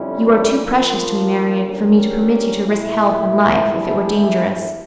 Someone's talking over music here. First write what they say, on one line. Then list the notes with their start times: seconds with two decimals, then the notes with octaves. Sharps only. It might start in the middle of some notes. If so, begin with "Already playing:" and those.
You are too precious to me, Marian, for me to permit you to risk health and life, if it were dangerous.
Already playing: F2 D3 G3 C#4 E4
0.62 F3 A#3 D4 F4 A#4
1.64 D3 G3 C#4 G4 A#4
2.66 A#2 A3 E4
3.68 E2 D3 A3 E4 G4